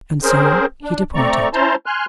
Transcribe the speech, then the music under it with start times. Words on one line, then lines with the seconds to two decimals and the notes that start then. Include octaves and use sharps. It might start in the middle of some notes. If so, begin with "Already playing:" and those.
And so he departed.
0.23 C4 C#4 G#4 A#4 C5
0.83 D4
1.15 A3 C4 D5 A#5 C#6
1.53 C#4 E4 C5 A5 A#5 C6
1.86 G#5 C6 F6 F#6